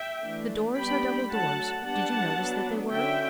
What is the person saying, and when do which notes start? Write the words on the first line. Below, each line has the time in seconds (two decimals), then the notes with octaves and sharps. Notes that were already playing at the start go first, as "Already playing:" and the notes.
"The doors are double doors; did you notice that they were?"
Already playing: E5 G5
0.24 E3 A3 D4
0.77 G3 B3 D4 G5 B5
1.31 D3 F#3 A3 F#5 A5
1.84 G3 B3 D4 F#5 A5
2.38 F#3 B3 D4
2.92 D3 F#3 C#4 E5 G5